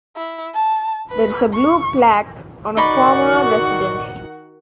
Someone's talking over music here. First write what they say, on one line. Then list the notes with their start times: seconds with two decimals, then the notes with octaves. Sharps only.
There is a blue plaque on a former residence.
0.16 E4
0.55 A5
1.10 B4
1.53 C#6
2.77 D#3 D#4 F#4 D5 F#5 B5 C#6